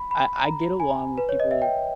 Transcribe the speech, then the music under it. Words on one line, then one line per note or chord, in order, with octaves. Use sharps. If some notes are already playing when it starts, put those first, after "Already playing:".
I I get along with people
Already playing: B5
B5
A#5
G#5
B4
C#5
D#5
E5
G5